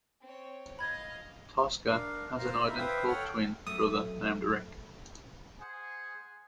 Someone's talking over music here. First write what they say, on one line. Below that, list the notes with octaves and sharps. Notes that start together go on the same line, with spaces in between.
Tosca has an identical twin brother named Rick.
C4 C#5
D#5 F5 B5 G#6
D4 A#4 F5
F4 A#4 C5 F5 A#5
D#4 E5 B5
B4 C5 E5 F5 G5 D#6
A4 C#5 F#5 G5 F6
F#2 A3 E5 D#6
G#4 C5 F#5 G#5